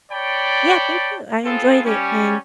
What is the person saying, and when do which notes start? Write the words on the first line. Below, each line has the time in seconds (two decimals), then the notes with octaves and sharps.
Yeah, thank you, I enjoyed it, and
0.10 C#5 D5 G5 A5 B5
1.43 B3 C4 F4 G#4 A4
1.84 G3 C#4